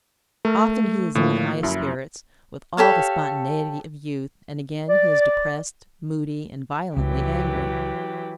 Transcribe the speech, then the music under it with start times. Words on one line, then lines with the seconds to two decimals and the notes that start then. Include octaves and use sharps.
Often he is in the highest spirits, with all the spontaneity of youth, and again he is depressed, moody, and violently angry.
0.45 A3 A#4
1.15 A2 D3 F3 A#3
1.63 F#2 E4
2.77 G4 A4 C#5 F5
4.89 D5
6.97 C#2 E3 F#3 G4